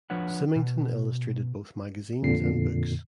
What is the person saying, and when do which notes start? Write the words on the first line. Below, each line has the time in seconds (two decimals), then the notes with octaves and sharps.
Symington illustrated both magazines and books.
0.10 F3 D4 B4 C#5 F#5
0.56 B2
2.22 F2 A#2 D3 C7